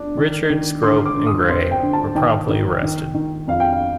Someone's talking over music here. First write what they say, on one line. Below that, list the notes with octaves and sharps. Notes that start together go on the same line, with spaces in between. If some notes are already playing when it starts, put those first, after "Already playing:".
Richard, Scrope, and Grey were promptly arrested.
Already playing: D4
D#3
D#3
D3 C6
D6
D3
D#6
C4 C6
G5
D3
A5
D#3 G5
D#3
D#3
D#3
F2 F5
G5
F5